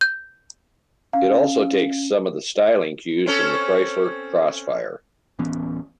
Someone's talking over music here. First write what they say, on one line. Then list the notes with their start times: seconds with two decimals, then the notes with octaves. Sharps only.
It also takes some of the styling cues from the Chrysler Crossfire.
0.01 G6
1.13 C#4 F5
3.26 C4 C#4 A4
5.39 D1 E3 B3 C#4